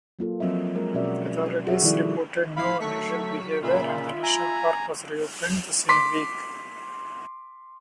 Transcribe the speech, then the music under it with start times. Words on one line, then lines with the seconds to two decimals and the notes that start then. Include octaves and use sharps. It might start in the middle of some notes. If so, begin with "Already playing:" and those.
Authorities reported no unusual behavior and the national park was reopened the same week.
0.19 F#3 A#3 F4 A4
0.40 F3 F#3 C4 D#5 E5
0.75 G#3 A#4
0.94 B2 C#4 F#4 A#4 D5 E5
1.67 F#4 G#4 B4 E5
1.82 D#3 F3 G3 E4 A4 D5
2.56 A1 E4 F5 B5 C7
2.80 F#3 A3 C#6 B6
3.62 A#2 C#3 F4 E5 B5
4.23 G#5 A#5
5.89 C6 D6 B6